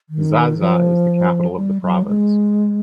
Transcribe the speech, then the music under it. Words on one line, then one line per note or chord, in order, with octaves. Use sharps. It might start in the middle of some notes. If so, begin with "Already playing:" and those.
Xai-Xai is the capital of the province.
D#3
F3
G3
F#3
G#3